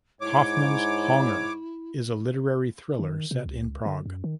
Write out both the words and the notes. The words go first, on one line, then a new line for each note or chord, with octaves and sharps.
"Hoffman's honger" is a literary thriller set in Prague.
G#2 E4 C#5 D6
D#3
C3
C#2
D3
F#2
D#3